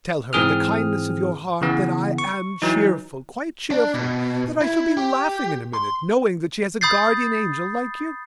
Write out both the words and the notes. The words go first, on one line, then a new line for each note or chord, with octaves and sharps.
Tell her, in the kindness of your heart, that I am cheerful, quite cheerful, that I shall be laughing in a minute, knowing that she has a guardian angel like you.
G#2 E3 C4 G#4 D#6 F6
C#3 E3 B3
C#6
E3 F#3 D#4
D4
B2
E4
G4
C6
B5 D#6 G6 A6 C7